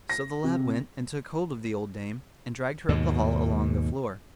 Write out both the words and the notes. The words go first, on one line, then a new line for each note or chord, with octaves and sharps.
So the lad went and took hold of the old dame; and dragged her up the hall along the floor.
A#6
C3
D#2 G#2 B2